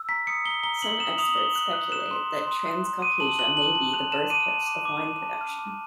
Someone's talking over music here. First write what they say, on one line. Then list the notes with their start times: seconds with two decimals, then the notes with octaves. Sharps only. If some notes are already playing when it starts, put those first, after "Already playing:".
Some experts speculate that Transcaucasia may be the birthplace of wine production.
Already playing: E6
0.09 A#5 B6
0.27 D#6 C#7
0.45 A#5 G7
0.63 A#5 G7
0.82 A#5 F#7
1.00 D#6 E7
1.18 D#6 F7
1.31 F#7
1.37 D#6 G7
1.55 F#6 F#7
1.73 F#6
1.92 F#6 E7
2.11 C6
2.29 F#6
2.47 C6
2.65 F#6
2.84 C6
3.02 D6 D#7
3.20 A5 F#7
3.39 F#6 F#7
3.57 A5 F#7
3.75 A5 F#7
3.93 F#6 F7
4.11 A5 E7
4.30 D6 D#7
4.48 A5
4.67 D6
4.85 D6
5.04 D6
5.22 A5
5.41 F6
5.59 D6